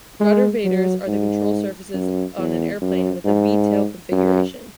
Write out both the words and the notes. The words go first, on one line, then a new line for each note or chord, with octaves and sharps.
Ruddervators are the control surfaces on an airplane with a V-tail configuration.
G#3
F#3
G#2
F#2
E2
F#2
G#2
F#2